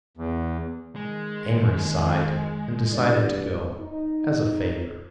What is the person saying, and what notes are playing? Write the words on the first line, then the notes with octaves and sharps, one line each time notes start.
Amory sighed and decided to go, as a favor....
E2
D#3 G#3
G2 D5
D#4